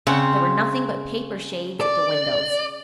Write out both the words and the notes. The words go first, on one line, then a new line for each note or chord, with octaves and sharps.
There were nothing but paper shades at the windows.
C#3 C4 F#5
D5